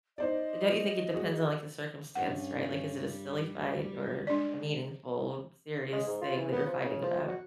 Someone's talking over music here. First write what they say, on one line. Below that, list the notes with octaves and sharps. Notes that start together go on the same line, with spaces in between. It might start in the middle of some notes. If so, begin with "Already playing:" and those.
Don't you think it depends on, like, the circumstance? Right? Like, is it a silly fight or a meaningful, serious thing that you're fighting about?
D#4 C5 D5 D#5
F#4 G#4
G2 C#4 D4 F#5
G3
G#3 D4 D5
G#3
G#2
F4
E3
B3
F3
C#3
F3
F#4